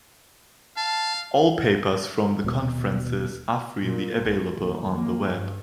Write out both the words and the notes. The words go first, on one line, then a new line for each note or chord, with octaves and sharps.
All papers from the conferences are freely available on the web.
F5 A5
D#1 B2
A#2
A#1
D#2
A#3
G2